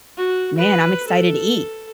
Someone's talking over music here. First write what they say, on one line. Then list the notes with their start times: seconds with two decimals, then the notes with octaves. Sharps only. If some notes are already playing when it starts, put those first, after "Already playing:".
man, I'm excited to eat.
0.17 F#4
0.58 B4
1.08 A4